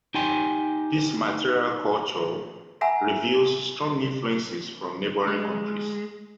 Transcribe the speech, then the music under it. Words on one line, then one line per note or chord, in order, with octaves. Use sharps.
This material culture reveals strong influences from neighbouring countries.
D#4 G4 G5 G#5 C6
E5 F#5 G#5 A#5 B5 E6
G#3